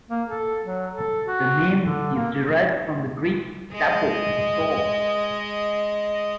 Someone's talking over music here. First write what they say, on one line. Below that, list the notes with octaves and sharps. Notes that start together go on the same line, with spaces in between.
The name is derived from the Greek "sapo", soap.
A#3
A4
F#3
A4
F#4
D3
A#3
G#3 D#5